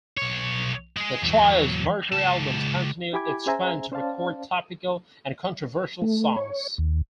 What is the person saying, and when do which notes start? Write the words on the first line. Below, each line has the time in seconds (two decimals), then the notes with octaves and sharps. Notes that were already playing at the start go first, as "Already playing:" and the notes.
The trio's Mercury albums continued its trend to record topical and controversial songs.
0.18 B1 C#5
0.97 G#3 G#4
1.22 E2 F#3
2.12 C#2 A5
3.13 E4 G4 G#5 B5 D6 G#6
3.46 C#4 G#4 C5 E5 G#5 A#5
3.92 C#4 C5 D5 F5 A5
6.02 A3
6.36 C#5
6.78 D#2